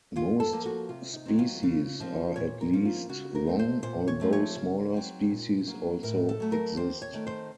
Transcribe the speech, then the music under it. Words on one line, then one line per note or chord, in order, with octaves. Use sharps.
Most species are at least long, although smaller species also exist.
F#2 F4
A4
F3 A#3
F#4
C3 F4
D#4
D#3 F#3 C4
F4
C#3
F3 C4
A#2 C#5
A#4
F3 A#3 C#4
F4
C#3 F#4
A#4
A3 C4
C5
A#2 C5
C#5
F3 A3 C4
C#5
C#3
F#3 C4
A#2
F#3 A#3
A2 A#4
A4
F#3 A3
A#4
D#2 C5
C#5
D#3 A3 C4
C5